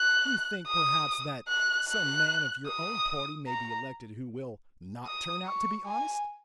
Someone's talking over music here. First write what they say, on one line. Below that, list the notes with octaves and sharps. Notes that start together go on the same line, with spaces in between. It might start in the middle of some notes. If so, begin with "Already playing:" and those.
"You think, perhaps, that some man of your own party may be elected who will not turn out to be honest?"
Already playing: F#6
D#6
F#6
F#6
D#6
A#5
D#6
C#6
G#5